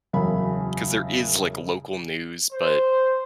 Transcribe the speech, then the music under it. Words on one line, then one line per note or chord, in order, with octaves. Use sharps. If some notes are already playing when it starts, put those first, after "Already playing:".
'cause there is, like, local news, but
E1 F#2 C#3 B5
C5